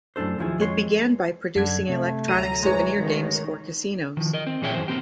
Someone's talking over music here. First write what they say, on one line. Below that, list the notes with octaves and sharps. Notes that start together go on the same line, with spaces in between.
It began by producing electronic souvenir games for casinos.
F#2 A2 D4 A4 C5
D#2 D#3 F3 E4 G#4
F2 G#3 C#5 C6
F#2 D3 G#6
C3 A3
D2 F#3 A#5 D#7
E3 G#3 C#5
A1 D#3
D#3 F3
A#4 D#5
C4
A#2 E3 G#4 C#5 E5 G5
F#2 E3 C5
A#3 C4 G4